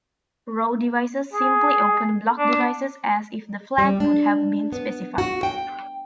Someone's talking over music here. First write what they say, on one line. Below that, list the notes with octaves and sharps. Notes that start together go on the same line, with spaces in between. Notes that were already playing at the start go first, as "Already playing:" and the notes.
Raw devices simply open block devices as if the flag would have been specified.
G#4
D4
G3
D4
B3
F#4
G5